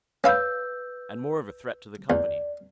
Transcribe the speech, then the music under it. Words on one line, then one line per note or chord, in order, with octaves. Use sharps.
And more of a threat to the Company.
C#4 B4 F5 B5 E6 G6
E2 D5